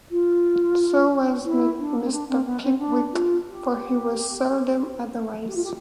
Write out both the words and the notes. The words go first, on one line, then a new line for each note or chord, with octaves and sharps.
So was Mr. Pickwick, for he was seldom otherwise.
F4
E4
D4
B3
C4
D4
C4
B3
C4
D4
F4
G4
G4
F4
G4